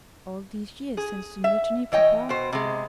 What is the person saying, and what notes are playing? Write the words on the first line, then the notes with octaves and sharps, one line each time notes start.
'All these years since the mutiny, papa?'
G#4
E5
E3 C#5 D#5 G5
B2 C5
C3 G#3